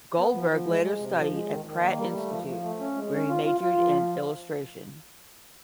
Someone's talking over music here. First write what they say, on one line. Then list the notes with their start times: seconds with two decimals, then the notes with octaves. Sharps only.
Goldberg later studied at Pratt Institute, where he majored in illustration.
0.18 B3
0.34 F3
0.50 F3
0.67 G#3
0.83 G#3
0.99 C3
1.17 F3
1.33 G#3
1.48 D#3
1.66 D#3
1.81 A#3
1.98 G3
2.14 A3
2.31 F3
2.47 F3
2.64 A3
2.80 C#4
2.96 G#3
3.12 C#4
3.29 F4
3.45 F4
3.61 F4
3.78 F3